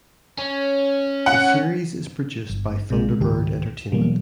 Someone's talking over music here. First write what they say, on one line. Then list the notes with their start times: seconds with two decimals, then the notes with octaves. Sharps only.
The series is produced by Thunderbird Entertainment.
0.38 C#4
1.26 F#5
2.49 G1
2.90 B1 C3 G#3
3.20 C#2 G#2 D#3 G4
3.92 B2 E3 F#3 G3 A#3